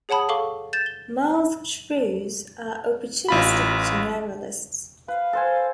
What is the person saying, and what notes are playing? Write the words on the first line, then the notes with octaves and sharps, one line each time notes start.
Masked shrews are opportunistic generalists.
G#4 C#5 F#5 A5 B5 D#6
A4 F5 C#6 D6 G7
G6 A6 E7
G7
A1 F4 B5
B4 F5
A4 C5 G#5